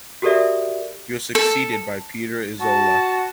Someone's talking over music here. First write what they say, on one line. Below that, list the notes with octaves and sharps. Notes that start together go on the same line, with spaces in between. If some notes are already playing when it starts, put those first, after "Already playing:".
He was succeeded by Peter Isola.
F#4 G4 A4 A#4 D5 E5
A4
F#4 A5